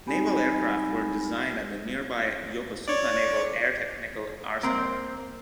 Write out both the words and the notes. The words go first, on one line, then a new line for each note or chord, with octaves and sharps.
Naval aircraft were designed at the nearby Yokosuka Naval Air Technical Arsenal.
G3 C4 D#4 G4 G#5 B5
C#5 D5
A#3 C4